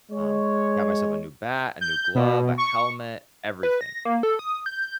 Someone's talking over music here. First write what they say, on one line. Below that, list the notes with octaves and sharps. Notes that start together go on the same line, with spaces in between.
um, I got myself a new bat, a new glove, a helmet, everything,
G#3 C#5
G6
B2
C#6
B4
A#6
A#3
A4
D#6
G6